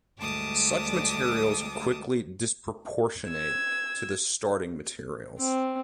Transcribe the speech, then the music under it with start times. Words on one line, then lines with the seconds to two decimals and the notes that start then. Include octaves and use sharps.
Such materials quickly disproportionate to the starting materials.
0.20 D2 G3 G#3 A5 D6 D#6
3.28 E6 G#6
5.38 C4